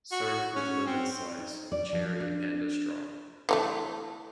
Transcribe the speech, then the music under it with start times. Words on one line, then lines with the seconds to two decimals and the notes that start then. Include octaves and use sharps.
Serve with lemon slice, cherry and a straw.
0.12 F#4
0.55 C#4
0.87 C4
1.38 D#4
1.72 D5
1.93 F3
2.20 D4
3.49 E3 F3 A3